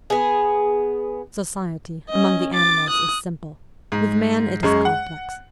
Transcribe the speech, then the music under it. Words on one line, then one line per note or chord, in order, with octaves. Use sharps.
Society, among the animals, is SIMPLE; with man it is COMPLEX.
B3 G#4
C#4 D#5
D6 A6
D#6 F#6
G#2
F#2 G#3 C#6
F#5